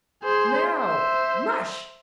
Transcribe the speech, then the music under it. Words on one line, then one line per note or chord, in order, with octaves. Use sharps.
"Now, MUSH!"
G#4 C5
C5 E5